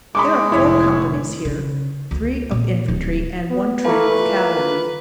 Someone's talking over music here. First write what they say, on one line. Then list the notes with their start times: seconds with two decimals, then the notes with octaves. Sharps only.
There are four companies here--three of infantry and one troop of cavalry.
0.15 G#3 B5 C#6 D6
0.52 F1 A2 E4 C#5
1.45 C#3
2.11 D2
2.51 A#2
2.88 D1
3.50 B3
3.85 E3 A3 A#3 A4 B4
4.19 A#3 F4